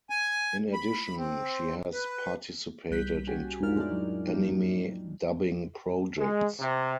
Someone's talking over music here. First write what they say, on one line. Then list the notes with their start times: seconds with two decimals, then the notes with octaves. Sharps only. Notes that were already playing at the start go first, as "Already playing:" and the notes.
In addition, she has participated in two anime dubbing projects.
0.10 G#5
0.74 B5
1.17 C4
1.93 B4
2.91 C2 G3 F#6 G6 B6
3.27 C#4 F#4 G4 G#5
3.62 F2 A2 D4 F4 A#4 F6
3.76 G#3 C#4 D#4 E4 D5
3.92 F#3
4.28 F3 F#3 A#3 D4 D#4 G4
6.17 G#3
6.58 C3